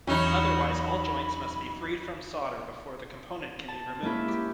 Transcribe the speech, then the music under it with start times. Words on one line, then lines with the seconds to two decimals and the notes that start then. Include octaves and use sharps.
Otherwise all joints must be freed from solder before the component can be removed.
0.07 E2 E3 F#3 C#4 D#4 C#5 B5
3.68 A5
4.02 G#3 A#3 C#4 E4 E5
4.28 G4